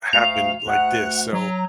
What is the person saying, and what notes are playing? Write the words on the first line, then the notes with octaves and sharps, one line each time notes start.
happen like this, so
D2 F5 F7
D2 F#5 F#6
F#3 A#5